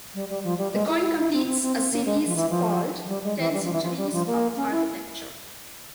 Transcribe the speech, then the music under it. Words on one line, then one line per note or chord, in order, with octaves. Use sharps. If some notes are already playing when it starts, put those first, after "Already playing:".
The coin completes a series called "Ten Centuries of Architecture".
G3
G3
F3
G3
G#3
E4
E4
E4
C4
C4
C4
C4
A#3
G#3
F3
E3
F3
F3
G3
G#3
E3
G3
F3
E3
F3
G3
F3
A#3
C#4
E4